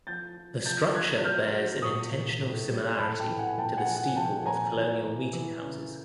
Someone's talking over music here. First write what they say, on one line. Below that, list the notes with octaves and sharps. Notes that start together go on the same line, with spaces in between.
The structure bears an intentional similarity to the steeple of colonial meeting houses.
F3 G6 A6
F3
F3 G6 A6
F3 F#6 G#6
F#3 F6 G6
F#3
A#2 C#6 D#6
A#2
A2
G3
A2 A5 B5
G5 A5
E3
F#5 G#5
A#2 G5 A5
F#5 G#5
F3
F#5 G#5
F3 G5 A5
A#2 G#5 A#5
E3
E3
E3
C#3